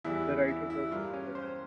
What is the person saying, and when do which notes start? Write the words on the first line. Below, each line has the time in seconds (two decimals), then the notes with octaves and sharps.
The writer was his brother.
0.04 E2 E3 G3 E4
0.48 E4
0.70 E4
0.91 G2 G3 A#3 F4
1.13 C#4
1.35 C5